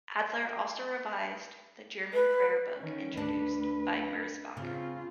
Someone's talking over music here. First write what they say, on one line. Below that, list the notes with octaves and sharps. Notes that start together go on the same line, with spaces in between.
Adler also revised the German prayer book introduced by Merzbacher.
B4
D#3 C#4
D2 D4 B4
C#3 C4 F4